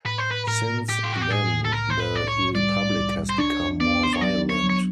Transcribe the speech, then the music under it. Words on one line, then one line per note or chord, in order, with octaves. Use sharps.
Since then the republic has become more violent.
A2 B4
C5
B4
A2 A#4
A2 G4
F4
F#4
G4
A2 G#4
A4
C2 A#4
C5
B4
C2 D5
C#5
G3 D5
C2
C5
D4 C#5
B3 D5
C5
C#5
F#3 D5
C#5
F#3
C#5